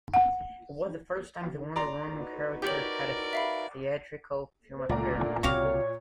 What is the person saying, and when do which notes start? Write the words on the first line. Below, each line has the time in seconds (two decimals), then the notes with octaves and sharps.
It was the first time the Wonder Woman character had a theatrical film appearance.
0.14 F#5
1.76 D5 A#5 C6
2.17 D#4 F#4 B4
2.62 G4 A#4 C#5 D5 G6 F#7
3.33 E5 F5 B5
4.89 C#2 A#2 D3 A3 A#3 D5 A#5
5.43 C2 C#3 C4 F#4 G4 C#5 F5